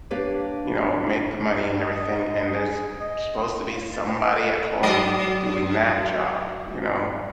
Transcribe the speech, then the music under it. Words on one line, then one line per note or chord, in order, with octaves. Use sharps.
you know, make the money and everything, and there's supposed to be somebody at home doing that job, you know,
A#3 D4 G4 B4 C#5
D#5
G#4
D#5
F5
A6
C5
D7
A4
F#3 D5 D#5